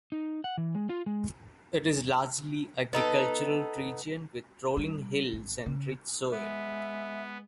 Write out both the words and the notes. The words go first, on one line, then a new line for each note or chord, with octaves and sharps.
It is a largely agricultural region with rolling hills and rich soil.
D#4
F#5
E3
G#3
F4
G#3
B3 D#4 A4
G3
G#1
C#3
G#3 B3 E5